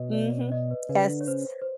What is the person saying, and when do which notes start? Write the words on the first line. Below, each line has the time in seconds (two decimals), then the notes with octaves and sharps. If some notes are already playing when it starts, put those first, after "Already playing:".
Mhm. Yes.
Already playing: B2 C#5 D#5
0.13 D5
0.32 C#5
0.52 D#5
0.71 B4
0.89 C#3 B4
1.09 D3
1.21 C#5
1.28 C#3 C5
1.62 C5